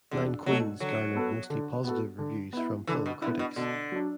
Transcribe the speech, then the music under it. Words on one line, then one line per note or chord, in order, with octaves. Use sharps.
"Nine Queens" garnered mostly positive reviews from film critics.
E2 D3
B2 F#3 A3
D3 F#3
B3 F#4 A4
D3
B3 F#4 A4
D3
B3 E4
D3 E3
B2
D3 B3 E4
B2
B2 D3
F#3 D4